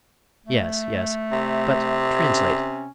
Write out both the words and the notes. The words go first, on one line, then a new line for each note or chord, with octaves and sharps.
"Yes, yes--but translate."
A3
C3
C#4